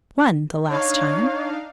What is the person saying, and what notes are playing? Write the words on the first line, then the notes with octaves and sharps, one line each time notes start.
"One, the last time."
D4 D#4 C#5 F5